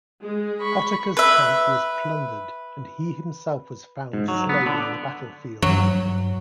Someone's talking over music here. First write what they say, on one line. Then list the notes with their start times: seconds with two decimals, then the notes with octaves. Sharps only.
Ottokar's camp was plundered, and he himself was found slain on the battlefield.
0.22 G#3
0.60 B5 C#6
1.17 B4 E5
4.13 G#2
4.28 F#3
4.49 B3
4.66 D3
5.62 G2 F#3